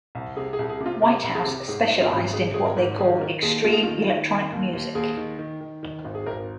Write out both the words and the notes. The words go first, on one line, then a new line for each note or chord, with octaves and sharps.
Whitehouse specialised in what they call "extreme electronic music".
C2
C3 G#4
G#4
C2
G#4
C3
F4
C3 A#4
C2
G#4
C3
G#2 G#4
D#4
G#1
F4
G#1 F4
G#1 G#4
G#1 G#4
A#4
G#2
D#3 G#4
D#3 A#4
D#2 G#4
D#2 F4
G#4
D#3 F4
D#3
D#3
D#2
D#2
D#2 G#4
D#3
D#3
D#3
D#3
G#1
G#4
G#1 A#4